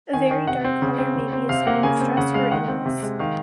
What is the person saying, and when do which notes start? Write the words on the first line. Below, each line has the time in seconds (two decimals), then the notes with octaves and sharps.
A very dark color may be a sign of stress or illness.
0.13 D#3 G#5
0.31 D#3
0.47 C3 F#5
0.64 C4
0.82 C#3
0.98 C4
1.16 C#3
1.33 C4
1.49 C3 F5
1.67 A#3 F#5
1.83 C#3 G#5
2.00 C4
2.17 C#3 F#5
2.34 G#3 F5
2.51 D#3 F#5
2.68 C4
2.86 C3
3.03 G#3
3.19 D#3 F5